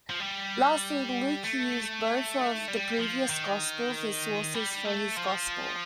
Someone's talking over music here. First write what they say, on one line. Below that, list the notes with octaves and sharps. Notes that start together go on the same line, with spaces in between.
Lastly, Luke used both of the previous gospels as sources for his Gospel.
F3
G3
A3
G3
F3
D#3
G3
A3
F3